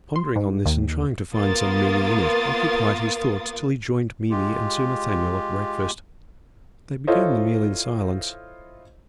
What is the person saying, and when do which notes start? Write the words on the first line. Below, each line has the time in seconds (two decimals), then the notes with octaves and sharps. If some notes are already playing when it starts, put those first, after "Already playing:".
Pondering on this and trying to find some meaning in it, occupied his thoughts till he joined Mimi and Sir Nathaniel at breakfast. They began the meal in silence.
0.16 C6
0.36 G#2
0.66 D#2
1.35 A#3 B3 F4 A#4 D#6 A6
4.30 G#3 F4 G4
7.07 E4 F4 A4 C5 C#5 D#5